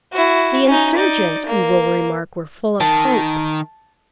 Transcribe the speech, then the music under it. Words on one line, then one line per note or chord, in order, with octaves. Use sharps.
The insurgents, we will remark, were full of hope.
E4 F#4
C#4 D#4
D#4 D5
A#3
D#3 A5